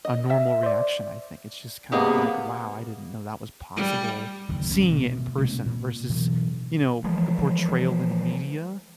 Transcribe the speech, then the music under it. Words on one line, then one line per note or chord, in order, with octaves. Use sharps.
a normal reaction, I think. It's just kind of, like, "Wow. I didn't know that was possible," seeing it in person versus, you know, the portrayal in media,
D#5
E5 E6
C5 D5
C3 A#3 B3 G4 G#4 D#5
G3
F#1 D#2 D3
G#1 C#4
B2 A3
C3 G#3 A#3 C#4
A#2
B2 E3 F#3
E3 F3 G#3